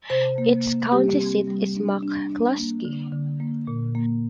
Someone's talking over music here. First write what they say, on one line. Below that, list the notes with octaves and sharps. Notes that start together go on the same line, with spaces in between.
Its county seat is McClusky.
C3 C5
A#3
A#3
G3 G4
C4
G3
D4
D4
D4
A#3
D3
D3
A#3
A#2
A#3